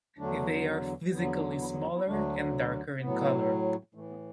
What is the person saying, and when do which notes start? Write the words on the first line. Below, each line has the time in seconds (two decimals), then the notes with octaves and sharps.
They are physically smaller and darker in color.
0.19 E2 D3 F#3 A3 D4
1.13 E2 D3 F#3 B3
1.24 B3
1.36 A3 D4
1.48 A3 D4
1.60 B3 E4
1.72 B3
1.83 A3
1.95 B3 E4
2.06 D2 D3 F#3 A3 D4
3.00 A2 F#3 B3
3.94 A2 E3 A3
4.10 B3